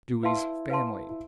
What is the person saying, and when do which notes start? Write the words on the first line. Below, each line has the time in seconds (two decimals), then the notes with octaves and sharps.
Dewey's family.
0.23 E4 B4 F5 A5 C6
0.70 B4 F5 A5 C6
1.09 E4